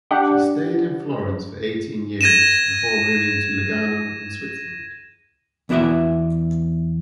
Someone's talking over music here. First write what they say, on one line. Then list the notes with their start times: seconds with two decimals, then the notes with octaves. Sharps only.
She stayed in Florence for eighteen years before moving to Lugano in Switzerland.
0.11 D4 G4 D5 F#5
2.21 G#6 A#6 D#7 E7
5.69 E2 B3 E4 F#4 D5 E5